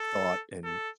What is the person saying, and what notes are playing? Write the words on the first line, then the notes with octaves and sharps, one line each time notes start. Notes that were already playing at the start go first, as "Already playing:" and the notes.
thought and
Already playing: A4
A4